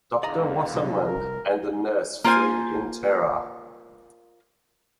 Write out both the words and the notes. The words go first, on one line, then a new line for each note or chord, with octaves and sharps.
Doctor Wasserman and the nurse flee in terror.
E2 D3 D5 D#5 F5 A#5
C2 F#3 D#5
A#4
A#3 F4 C5 G#5